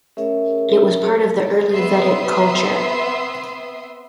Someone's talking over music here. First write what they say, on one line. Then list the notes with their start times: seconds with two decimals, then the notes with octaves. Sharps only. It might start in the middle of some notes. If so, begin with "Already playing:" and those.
It was part of the Early Vedic culture.
0.17 A3 C#4 G#4 A#4 C#5 E5
1.71 B3 C4 E5 C6 D#6 C7